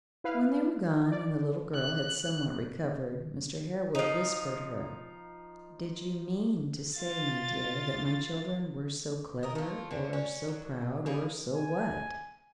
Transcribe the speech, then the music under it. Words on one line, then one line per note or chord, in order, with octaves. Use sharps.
When they were gone, and the little girl had somewhat recovered, Mr. Harewood whispered her--"Did you mean to say, my dear, that my children were so clever, or so proud, or so what?"
E4 B4 F5
D5
F#6
F3 D#4
F4 A6
A#4 D#5
A3 F4
D3 C4 C#4
C#4
F#3
G3 A#3 D#4 G#4
G#5